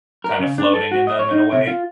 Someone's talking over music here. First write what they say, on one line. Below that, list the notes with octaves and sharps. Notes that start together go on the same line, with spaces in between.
kind of floating in them in a way.
A#4
C#3
D4
A4
F#4
D#5
C#5
D#4
C3
F4